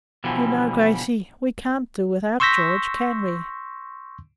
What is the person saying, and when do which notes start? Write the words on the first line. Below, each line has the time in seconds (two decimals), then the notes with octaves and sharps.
'You know, Gracey, we can't do without George, can we?
0.24 B2 D3 E3 F3 G3
2.40 C6 C#6 E6 G6 A#6 B6